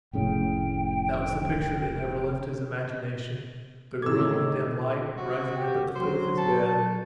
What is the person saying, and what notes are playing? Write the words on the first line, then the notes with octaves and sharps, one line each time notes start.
That was the picture that never left his imagination--the girl, in the dim light, rising up at the foot of his bed.
F1 A2 C#3 G5
A2 D3 D#3 E4 A4 D6 E6 G#6
F#4
G4
F#3 C5
A4